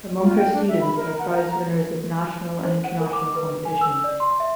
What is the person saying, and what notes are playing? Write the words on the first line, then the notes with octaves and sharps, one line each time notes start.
Among her students are prize winners of national and international competitions.
F4
G5
D4
E5
B5
A#4
F#5
A#5
C5
F#5
A#4
D6
B4
G#5
E6
D5
C6
E5